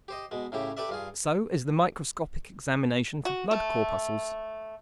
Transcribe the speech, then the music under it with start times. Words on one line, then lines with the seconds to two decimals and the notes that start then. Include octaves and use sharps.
So is the microscopic examination for blood corpuscles.
0.08 G4 C5 D#5
0.31 B2 G#3
0.52 A2 C#3 E4 G4
0.77 G4 A4 B4 D5 E5
0.89 G2 F4 G#4
3.25 F#4
3.51 A3